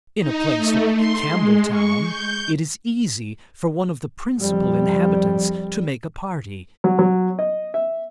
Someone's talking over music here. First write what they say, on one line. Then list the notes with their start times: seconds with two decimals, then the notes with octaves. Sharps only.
In a place like Campbelltown, it is easy for one of the principal inhabitants to make a party.
0.20 D#4
0.56 A3
0.95 C6
1.28 G#3
1.69 C#6
2.03 G6
4.38 F2 G3
6.84 F#3
6.99 F#3
7.39 D#5
7.74 E5